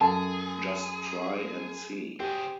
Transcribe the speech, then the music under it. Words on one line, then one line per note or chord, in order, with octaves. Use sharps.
Just try and see.
F#2 G#4 A4 A5
C4 G4 G#4